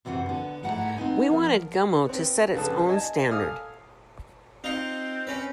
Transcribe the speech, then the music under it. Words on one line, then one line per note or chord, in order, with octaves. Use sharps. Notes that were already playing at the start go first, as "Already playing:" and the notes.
We wanted "Gummo" to set its own standard.
F#2 C3 E3 F#4 C5
D3 B3
G#2 A3 E4 F#5 A#5
B3 C4 D#4 G#5
F3 A#4
B3 C4
A#1 C#3 B3 A4 B4 A5
D#5 G#5 A5
A4 F5 G#5 D#6 F6
C4 D#4 F4
C#4 B4